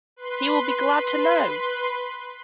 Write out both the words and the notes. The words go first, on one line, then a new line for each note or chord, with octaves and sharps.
He will be glad to know!
B4 C6